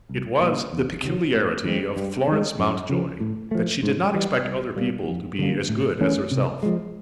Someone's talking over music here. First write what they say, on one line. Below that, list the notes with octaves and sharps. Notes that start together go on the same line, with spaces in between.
It was the peculiarity of Florence Mountjoy that she did not expect other people to be as good as herself.
C2
A#2 G3
E2
C3 D#3 F#3
A2
E3 G#3 C4
G2
D#3 G#3
F#2
C#3 F3
A2
F3 A3
G#2
E3 G3
C2
B2 G3 A#3
F2
D3 G3 A#3
A2
E3 A3 C#4
C3
F3 G#3